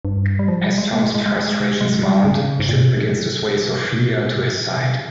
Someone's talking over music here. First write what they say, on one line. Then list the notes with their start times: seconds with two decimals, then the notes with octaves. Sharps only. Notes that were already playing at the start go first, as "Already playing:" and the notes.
As Tom's frustrations mount, Chip begins to sway Sofia to his side.
0.05 G2
0.39 G3
0.48 F3
0.64 G3
0.78 G#3
0.93 A#3
1.04 G#3
1.15 G#3
1.26 G#3
1.36 G#3
1.81 G#3
2.03 G3
2.25 C#3
2.60 G#2
2.69 A#2